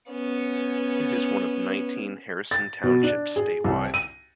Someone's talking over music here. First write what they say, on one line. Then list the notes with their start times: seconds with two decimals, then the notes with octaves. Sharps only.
It is one of nineteen Harrison Townships statewide.
0.11 B3 C#4
2.51 A6
2.83 B2
3.03 D4
3.36 G#4
3.64 C2
3.94 D#7